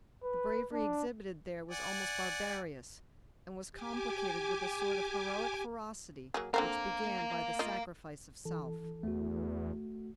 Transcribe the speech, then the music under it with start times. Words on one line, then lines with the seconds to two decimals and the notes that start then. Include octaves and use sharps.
The bravery exhibited there was almost barbarous and was complicated with a sort of heroic ferocity which began by the sacrifice of self.
0.24 B4
0.72 D4
1.71 D5 F#5 G#5
3.72 G4 G#5 D6
6.34 F#3 A#3 G#4
6.54 D3 C4 A#4 F5 A#5
7.59 F4 D#5
8.45 E3 A4
9.03 E2 A3 F#4